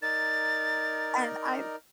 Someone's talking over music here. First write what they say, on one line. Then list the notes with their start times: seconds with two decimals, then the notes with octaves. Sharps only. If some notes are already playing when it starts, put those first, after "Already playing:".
And I'm
0.02 D#4 A#4 D5 A6